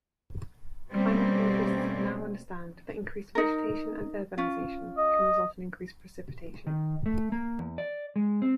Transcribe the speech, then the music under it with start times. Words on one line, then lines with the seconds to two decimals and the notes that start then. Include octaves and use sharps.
Climatologists now understand that increased vegetation and urbanization can result in increased precipitation.
0.92 B2 G3 A3 A#3 C4 C#4
3.35 D#4 A#4
4.38 C#4 F4
4.97 D#5
6.67 D#3
7.06 A3
7.32 A#3
7.59 E2
7.78 D5
8.16 G#3
8.42 C4